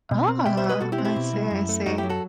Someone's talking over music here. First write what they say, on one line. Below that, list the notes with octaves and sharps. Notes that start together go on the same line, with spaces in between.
Oh, I see, I see.
B2
C4
B2 E5 G5
C5 E5
G3
B4 D#5
B2 F#4 A4
E4 G4
C4
E4 G4
B2
G3
F#2
A3
F#2 D#4 F#4
E4 G4
F#3
F#4 A4